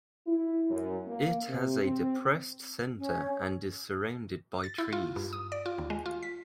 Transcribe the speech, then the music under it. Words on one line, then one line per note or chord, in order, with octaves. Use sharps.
It has a depressed centre and is surrounded by trees.
E4
F#2
A#3
C3
C4
C#4
A6
E4
F4
G2
D#6
D5
F4
D#2
G#3
F4
B6